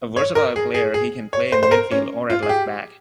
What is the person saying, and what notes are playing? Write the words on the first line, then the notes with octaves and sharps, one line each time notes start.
A versatile player, he can play in midfield or at left-back.
C#5
A#4
G#4
G#4
G#4
C#5
C5
C5
A#4
C#4
F4
G#4
G4